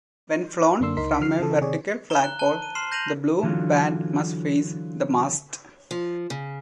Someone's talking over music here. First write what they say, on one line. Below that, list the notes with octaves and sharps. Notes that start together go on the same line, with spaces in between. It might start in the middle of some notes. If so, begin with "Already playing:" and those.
When flown from a vertical flagpole, the blue band must face the mast.
F#2 D3 A#3 D4 C6 E6
C#2 D#4 A#4 C6 B6
D3 F3 F6 C7
C#3 E3 A4
C3 D#3 G#4 C#5 D5
A#5 G7
F#6
A5 F#6 G7
D#7
C6 F6 C7 E7
G6 A#6 D#7 F7 F#7
D3 E3 F#3 F4
F3
C#3